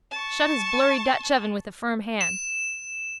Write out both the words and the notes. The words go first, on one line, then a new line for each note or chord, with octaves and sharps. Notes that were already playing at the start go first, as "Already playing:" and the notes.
Shut his blurry Dutch oven with a firm hand.
A5 C#6
E7